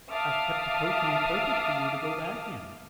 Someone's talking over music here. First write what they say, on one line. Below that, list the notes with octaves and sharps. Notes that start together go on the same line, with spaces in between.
I've kept the coach on purpose for you to go back in.'
E5 F5 A5 D6 D#6 F6